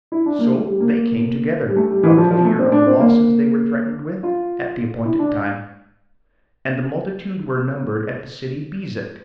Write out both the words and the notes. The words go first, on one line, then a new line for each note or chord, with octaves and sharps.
So they came together, out of fear of the losses they were threatened with, at the appointed time. And the multitude were numbered at the city Bezek.
E4
D4
A#3
A3
G3
A#3
G3
A3
G3
E3
F3
F3
A3
C4
D4
C4
A#3
F4
E4
D4